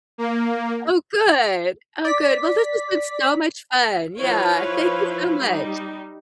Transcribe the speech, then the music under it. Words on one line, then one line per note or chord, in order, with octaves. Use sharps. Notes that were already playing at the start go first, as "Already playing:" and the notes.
Oh, good. Oh, good. Well, this has been so much fun. Yeah. Thank you so much.
A#3
D5 B6
F3 E4 B4 C#5 F5
G3 D#4